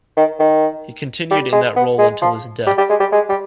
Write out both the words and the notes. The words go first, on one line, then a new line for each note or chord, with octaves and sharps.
He continued in that role until his death.
D#3
D#3
G3
G#3
B3
G#3
F3
G3
G3
G#3
G3
G#3
G3